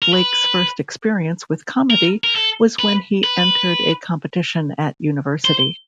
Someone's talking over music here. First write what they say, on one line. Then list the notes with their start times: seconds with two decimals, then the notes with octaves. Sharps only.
Blake's first experience with comedy was when he entered a competition at university.
0.02 A#4
0.13 B4
1.91 A#4
2.24 A#4
2.36 A4
2.79 B4
3.24 B4
5.45 C5